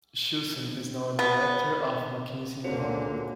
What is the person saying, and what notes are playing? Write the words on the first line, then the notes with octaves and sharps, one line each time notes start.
Shilson is now a director of McKinsey in London.
B3
C#2 A#2 D3 A#3 F#4 C5 C#5